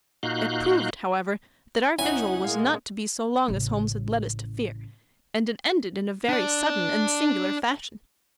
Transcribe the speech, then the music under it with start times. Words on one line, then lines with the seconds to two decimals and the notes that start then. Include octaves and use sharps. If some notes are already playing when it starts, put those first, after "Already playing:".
It proved, however, that our vigil was not to be so long as Holmes had led us to fear, and it ended in a very sudden and singular fashion.
0.23 A#2 D#4 F#4 F5 F#6 G6
1.99 C#2 C#4 D#4 E4 F#5 G#5
2.44 A#2 G#3 A#3 F5
3.48 A1 C#3
6.29 D4 D5